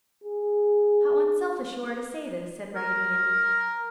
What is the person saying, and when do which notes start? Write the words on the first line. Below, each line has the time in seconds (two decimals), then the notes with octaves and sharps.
"How unselfish you are to say this!" said Raggedy Andy.
0.24 G#4
2.76 A#4